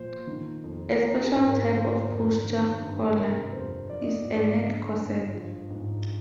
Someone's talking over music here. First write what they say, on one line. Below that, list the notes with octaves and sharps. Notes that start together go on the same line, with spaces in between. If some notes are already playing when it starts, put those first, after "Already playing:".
A special type of posture collar is a neck corset.
Already playing: A#2 F3 C5
D#3
F2
F3 A#4
G#4
G#2
A#4
D3 C5
F2 A#4
D#3
G2
C3 A#4
F2 C5
F3 D5
D#5
D5
G#2
D5
D3 D#5
G2
F3
G#2